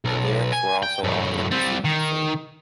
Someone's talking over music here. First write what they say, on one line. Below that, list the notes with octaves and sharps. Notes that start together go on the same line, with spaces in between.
The lyrics were also altered to suit the theme.
B1
G#5
G5
F#2 A2
G3 C4
D#3